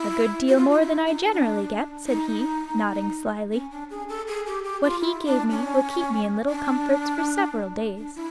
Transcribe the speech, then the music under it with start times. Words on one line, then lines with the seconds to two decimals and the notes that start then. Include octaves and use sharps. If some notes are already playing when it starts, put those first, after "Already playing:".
"A good deal more than I generally get," said he, nodding slyly; "what he gave me will keep me in little comforts for several days."
Already playing: E4
0.49 F#4
0.57 F4
0.70 D#4
0.81 E4
1.07 D#4
1.31 D4
2.05 D#4
3.53 C#4
3.71 D4
3.90 G#4
4.09 A4
4.27 G#4
4.46 G4
4.64 G4
4.83 F4
5.01 E4
5.25 D4
5.51 C#4
6.49 D4
7.97 D4
8.16 E4